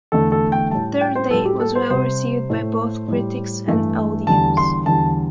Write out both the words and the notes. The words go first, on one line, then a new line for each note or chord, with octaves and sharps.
"Third Day" was well received by both critics and audience.
E2 D3 A3 A4
A4
G5
A2 G3 A5
G5
C5
A2 G3 A4
G4
A4
C5
C3 G3 C5
A2 A3
A2 G3
G2 E3 A3
E2 D3 G3 A5
C6
E2 D3 G3 A5